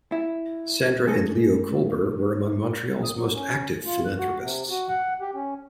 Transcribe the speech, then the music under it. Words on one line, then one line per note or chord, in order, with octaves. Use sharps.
Sandra and Leo Kolber were among Montreal's most active philanthropists.
E4
G#3 A3 G#4 A4
D#6
F#3
C#4
F4
F#6
F#4
C3
F#4
F#5
G4
C#4